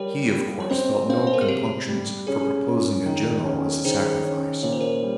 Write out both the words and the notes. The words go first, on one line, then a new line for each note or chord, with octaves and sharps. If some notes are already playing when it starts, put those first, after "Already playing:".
He of course felt no compunctions for proposing a general as a sacrifice.
Already playing: G3 A#4 C#5
G3
C#5
C4 C5 D#5
C4 C#5 F5
C5
A#4
G#4
C3 G4
G3
C#4 G#4
C#4
D#3 G#4
C#4
D#3 G#4 C5
C#4
A#2 C#5
C5
A#4 C#5
G3